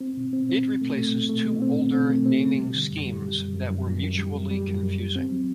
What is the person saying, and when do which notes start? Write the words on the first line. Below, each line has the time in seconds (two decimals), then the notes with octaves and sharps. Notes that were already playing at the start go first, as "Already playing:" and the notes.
It replaces two older naming schemes that were mutually confusing.
0.01 C4
0.17 B2
0.33 C4
0.49 C4
0.66 B2
0.81 A3
0.98 A3
1.14 B2
1.30 A3
1.46 B2
1.62 C4
1.78 B2
1.93 C4
2.10 A3
2.26 C4
2.42 B2
2.59 G3
2.75 D3
2.91 F#2
3.06 G3
3.22 G3
3.38 F#2
3.54 F#2
3.70 F#2
3.86 F#2
4.03 F#2
4.19 G3
4.35 F#2
4.51 G3
4.67 F#2
4.83 F#2
5.00 G3
5.16 C4
5.32 F#3